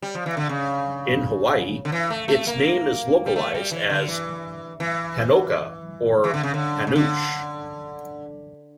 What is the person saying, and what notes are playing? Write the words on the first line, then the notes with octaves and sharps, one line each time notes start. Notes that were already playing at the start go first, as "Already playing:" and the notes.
In Hawaii, its name is localized as "panocha" or panuche.
G3
F3
E3
D3
C#3
D3
E3
A3
A3
A#3
G3
A3
G3
E3
D3
E3
E3
E3
D3
C#3
D3
C#3
D3